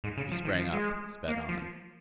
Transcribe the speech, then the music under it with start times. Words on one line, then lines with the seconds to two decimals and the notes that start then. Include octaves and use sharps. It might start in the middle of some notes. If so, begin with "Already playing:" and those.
We sprang up, sped on.
0.04 G#2
0.17 C#3
0.32 F3
0.45 D#3
0.59 F3
0.73 G#3
1.28 A#3
1.49 F3